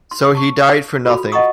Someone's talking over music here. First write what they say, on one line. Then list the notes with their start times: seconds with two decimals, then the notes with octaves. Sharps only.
So he died for nothing.
0.11 C6
0.35 A5 C#6
1.05 F4 F#4 A4 B5
1.32 D#5 F#5 G5 A#5 C#6 D#6